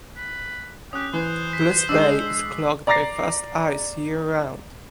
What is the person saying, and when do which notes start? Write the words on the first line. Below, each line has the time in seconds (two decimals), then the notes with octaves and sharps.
Bliss Bay is clogged by fast ice year round.
0.16 B4
0.93 C#4 G4 D#6 F#6
1.14 E3 C5
1.53 B6
1.89 G#3 D4 E6 C7
2.87 D5 A#5 D6 A6 A#6 C7